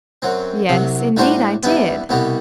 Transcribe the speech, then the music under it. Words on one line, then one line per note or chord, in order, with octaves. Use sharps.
"Yes, indeed, I did."
F#2 F#3 C4
C2 C3 F#3
A2 G3 D4 F#4 C5
G2 E3 G3 B3
C2 B2 G3 B3